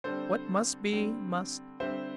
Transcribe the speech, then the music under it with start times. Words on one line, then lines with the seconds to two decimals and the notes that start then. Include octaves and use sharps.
What must be, must....
0.04 D3 G3 C4 A4 C5
0.92 D3 G3 C4
1.80 D3 G3 C4 C5 E5